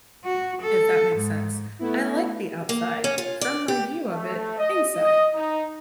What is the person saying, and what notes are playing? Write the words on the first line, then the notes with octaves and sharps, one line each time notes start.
if that makes sense. I like the outside, from my view of it inside,
F#4
A4
G#2
A3 B3 E4
A#3
C#4
F4
D5
G4
A3
D#5
D#5
D#4